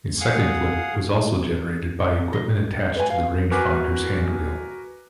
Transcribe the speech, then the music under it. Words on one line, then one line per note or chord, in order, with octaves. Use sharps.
A second blip was also generated by equipment attached to the rangefinder's handwheel.
G#4 F5 F#5 D#6
D#5
B4 G#5
F5
F#4 A#4 B4 G#5 D6 F#6